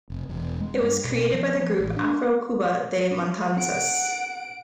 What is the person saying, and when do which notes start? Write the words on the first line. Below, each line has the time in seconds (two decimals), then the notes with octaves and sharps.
It was created by the group Afro-Cuba De Matanzas.
0.10 F1
0.29 E1
0.60 G#3
0.81 G2
1.05 B2
1.34 F3
1.57 F3
1.79 A1
1.96 D4
3.54 F#5 D7